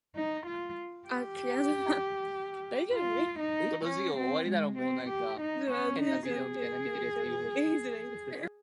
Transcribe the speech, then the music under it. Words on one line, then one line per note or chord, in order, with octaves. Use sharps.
At the advance resumed towards Hessian Trench, which was taken easily.
D#4
F4
G4
F4
D#4
C#4
C4
G#3
C4
G4
D#4
C#4
D#4
G#4